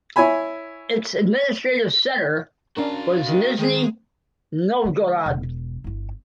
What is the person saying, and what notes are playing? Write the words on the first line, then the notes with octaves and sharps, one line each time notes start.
Its administrative centre was Nizhny Novgorod.
E4 C#5 G#5 B5
C#4 D4 F#4 A#4 F5
D#3
D#3 G#3 G#4
D3 G#3
E1
G1 E4